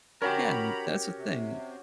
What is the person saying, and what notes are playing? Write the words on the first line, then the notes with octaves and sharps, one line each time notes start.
Yeah, and that's the thing.
C#4 F#4 G4 A#4 G5 A#5 B5
C3